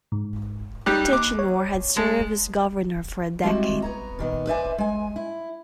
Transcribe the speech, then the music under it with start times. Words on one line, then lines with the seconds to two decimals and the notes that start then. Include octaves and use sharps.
Tichenor had served as governor for a decade.
0.12 G#2
0.86 G3 D#4 G4 F#6
1.09 D#2 D6
1.39 C#5
1.97 G#3 A5
3.43 G3 G#3 C4 E4 F#4
3.82 B3 C#5 A#5
4.19 A#2 D#3 B3
4.47 B4 C5 D5 E5 F5 G#5
4.78 G#3 G#5
5.16 E4